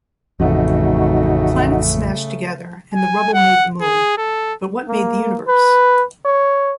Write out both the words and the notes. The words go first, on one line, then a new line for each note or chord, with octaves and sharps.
Planets smashed together and the rubble made the moon, but what made the universe?
A1 F2 C#3 A3 D#4 F#4
G#5
F#5
G#4
A4
A#3
B4
C#5